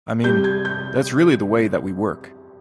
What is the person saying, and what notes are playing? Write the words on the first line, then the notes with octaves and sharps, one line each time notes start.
I mean, that's really the way that we work.
C3 G3 G6
G#6
G6